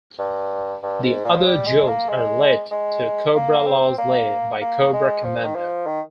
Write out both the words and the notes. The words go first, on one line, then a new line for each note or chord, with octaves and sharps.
The other Joes are led to Cobra-La's lair by Cobra Commander.
G2
G2
G#2
A#2
F3
G3
G#3
A#3
G#3
G#3
A#3
C4
A#3
A#3
G#3
F3
D#3
F3
D#3